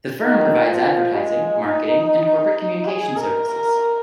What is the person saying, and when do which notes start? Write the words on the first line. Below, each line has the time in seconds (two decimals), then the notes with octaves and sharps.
The firm provides advertising, marketing, and corporate communications services.
0.21 D#3
0.68 F3
1.14 G#3
1.61 D#4
2.55 D#4
2.85 G#4
3.16 A#4
3.48 A#4